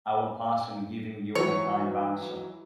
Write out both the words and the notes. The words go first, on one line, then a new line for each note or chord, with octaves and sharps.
I will pass on giving you any kind of answer.
E3 F#3 C#5